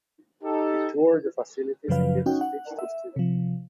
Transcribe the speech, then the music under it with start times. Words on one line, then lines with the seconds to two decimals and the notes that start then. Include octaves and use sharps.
He toured the facilities and gave a speech to students.
0.44 D#4 G4 A4
1.88 F#2 C#3 F3 F#3 B4 F5
2.26 C#4 D#4 F#4 G5
2.41 F#5
2.79 E5
3.16 C3 F3